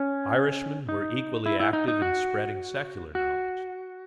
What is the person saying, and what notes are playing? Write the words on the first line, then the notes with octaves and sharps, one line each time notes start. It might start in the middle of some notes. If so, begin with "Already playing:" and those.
Irishmen were equally active in spreading secular knowledge.
Already playing: C#4
D#4
E4
E4
D#4
D#4
F#4
F#4